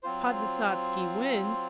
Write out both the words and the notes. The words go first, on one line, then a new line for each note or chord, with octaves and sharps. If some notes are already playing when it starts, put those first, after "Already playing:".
Podvysotsky wins.
F#3 C4 F4 C5